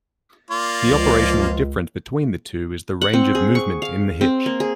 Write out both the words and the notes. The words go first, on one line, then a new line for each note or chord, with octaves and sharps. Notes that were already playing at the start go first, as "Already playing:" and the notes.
The operational difference between the two is the range of movement in the hitch.
A#3 F4 D5
C#2 F3
F#5
C4
G#4
C#6
F5
C4
A#3
G#4